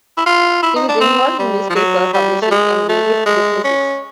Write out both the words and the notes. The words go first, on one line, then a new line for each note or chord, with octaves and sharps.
He was involved in newspaper publishing and various businesses.
E4
F4
E4
D#4
D4
C4
G3
F3
F#3
G3
A3
G#3
A3
G#3
C#4